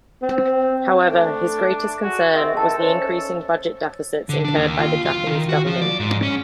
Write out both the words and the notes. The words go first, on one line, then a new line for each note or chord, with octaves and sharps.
However, his greatest concern was the increasing budget deficits incurred by the Japanese government.
C4
A3 D4
F#4 G#4
C4 D#5 E5
D#3 A4 A5
C#4 C5
D3
D4
D#2
F4
F4
D#3
F#4
F3
D5
G#2
C#4